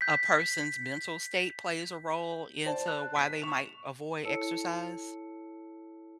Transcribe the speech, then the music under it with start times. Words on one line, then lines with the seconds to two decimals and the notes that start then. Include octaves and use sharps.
a person's mental state plays a role into why they might avoid exercise?
0.01 G6 B6
2.66 C5 D5 A5
2.88 F#6
3.16 B6
3.42 C#6 E7 F7
4.24 E4 A4 C#5 A5 E6 C#7